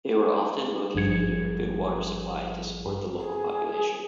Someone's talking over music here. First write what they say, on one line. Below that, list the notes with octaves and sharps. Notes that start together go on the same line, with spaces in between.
They were often located near a good water supply to support the local population.
G#1 G2 F3 G#4 G#6 C#7
G#4